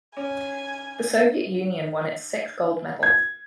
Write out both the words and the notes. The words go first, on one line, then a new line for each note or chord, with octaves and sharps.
The Soviet Union won its sixth gold medal.
C#4 G#5
G#6